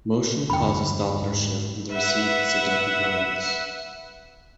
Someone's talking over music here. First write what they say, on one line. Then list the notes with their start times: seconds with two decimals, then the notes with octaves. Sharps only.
Motion causes Doppler shift in the received signal components.
0.50 E2 G2 D3 G5 B5
1.22 G#2
1.89 B4 E5 F#5